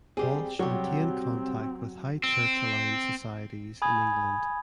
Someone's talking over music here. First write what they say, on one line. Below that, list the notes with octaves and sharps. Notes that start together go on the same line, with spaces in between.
Walsh maintained contact with high church aligned societies in England.
G3 C4 G4 G#4
C3 F#3 G3 C4 G4 C#5
C4
G#5 B5 D#6 G#6